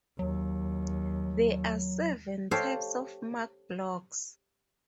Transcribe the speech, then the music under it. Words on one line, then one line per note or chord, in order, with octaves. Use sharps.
There are seven types of Mark blocks.
D#2 F#3
G4 A4 C5 C#5 F5 G5